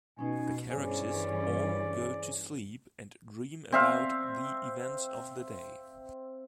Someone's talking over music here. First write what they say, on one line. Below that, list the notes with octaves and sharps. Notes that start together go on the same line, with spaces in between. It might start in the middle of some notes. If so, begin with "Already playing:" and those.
The characters all go to sleep and dream about the events of the day.
B2 C#4 D#4 G#5
G2 E3 C#4 G#4 C5 D5 G#5
C4 E5 F5